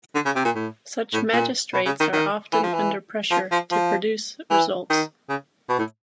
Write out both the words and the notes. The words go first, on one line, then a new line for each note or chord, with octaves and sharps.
Such magistrates are often under pressure to produce results.
D3
C#3
C3
A#2
A2
A2
A#2
B2
C#3
D#3
D#3
E3
F3
E3
F3
F3
F3
E3
D#3
C#3
B2
A2